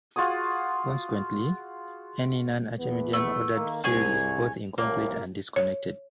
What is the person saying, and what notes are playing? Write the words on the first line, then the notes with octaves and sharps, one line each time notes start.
Consequently, any non-Archimedean ordered field is both incomplete and disconnected.
F4 F#4 G#4 D#6
E2 B3
A3
D#3 A#3
C2 G#4 C#5 G#5
C2 F2 A2 A#3
C#5